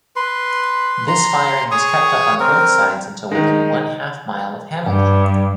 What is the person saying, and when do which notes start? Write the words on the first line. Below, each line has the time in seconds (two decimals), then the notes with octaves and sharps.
This firing was kept up on both sides until within one-half mile of Hamilton.
0.16 B4 C6
1.08 A#5 C6
1.71 G#4 C#5 C#6 D#6
2.40 C4 A#4
3.32 D#3 G#3 D#4
4.87 G2